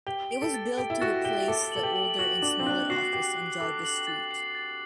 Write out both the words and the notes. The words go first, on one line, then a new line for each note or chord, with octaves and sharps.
It was built to replace the older and smaller office on Jarvis Street.
G4 G7
D7
A4
A6
G4 D7
E4
F#4 A6
G4 G7
A4 D6
A4 F#7
G4
F#7
F#4 F#7
D4 D6
C4
D4 F#6
F#4 C7
G4 D6
F#7
A4 D6
F#7
A6
C7
A6